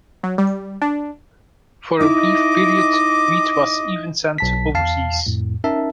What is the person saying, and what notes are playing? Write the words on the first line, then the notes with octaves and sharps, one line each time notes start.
For a brief period wheat was even sent overseas.
F#3
G3
D4
D#4 E4 D#5 E5 D6
B1 A5 B6
E2 F5 A5 C7
F2 A2
C#4 D#4 A#4 E5 A5